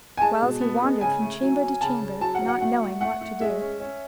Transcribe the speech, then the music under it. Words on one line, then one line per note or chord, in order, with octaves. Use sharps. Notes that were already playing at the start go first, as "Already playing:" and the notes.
Whiles he wandered from chamber to chamber, not knowing what to do.
G#5
G#3 A5
B2
B3
G#3
C#3 G#5
A3
F#3
C#4
C#3 A5
C#3
F#3 A5
F#5
F#3
F#5
A3 F#5
A3
A3 F#5
A3
G#3 E5
C#4
C#4